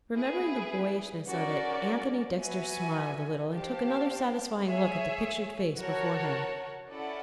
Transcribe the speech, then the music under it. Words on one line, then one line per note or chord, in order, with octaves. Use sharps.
Remembering the boyishness of it, Anthony Dexter smiled a little and took another satisfying look at the pictured face before him.
E4 G#4 B4
C#4 F#4 A#4 D5
F#4 B4 E5 G#5
G4 C5 F5 A5
G#4 C#5 E5
F#4 A#4 C#5 F#5 A5
C#4 E4 A4 D5 F#5